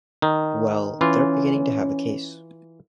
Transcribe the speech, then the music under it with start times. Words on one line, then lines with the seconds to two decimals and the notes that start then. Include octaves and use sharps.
Well, they're beginning to have a case.
0.22 D#3
1.01 E3 C#4 F4